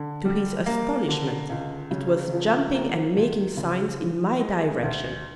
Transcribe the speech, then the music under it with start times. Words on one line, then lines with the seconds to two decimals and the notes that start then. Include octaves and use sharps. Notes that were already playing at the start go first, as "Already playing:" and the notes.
To his astonishment it was jumping and making signs in my direction.
Already playing: D3
0.25 G3
0.66 A#3
1.08 D3
1.50 C#2
1.91 C#3
2.33 F3
2.74 A#3
3.15 D2
3.57 C#3
3.99 E3
4.40 G#3
4.83 D2